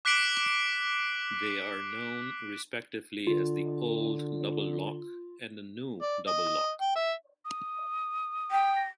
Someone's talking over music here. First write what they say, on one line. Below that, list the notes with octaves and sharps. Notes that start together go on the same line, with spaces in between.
They are known respectively as the Old Double Lock and the New Double Lock.
D6 F#6 B6 C7 D7 F#7
D3 F4
D5
D#5
G5
E5
D#6
G5
A#6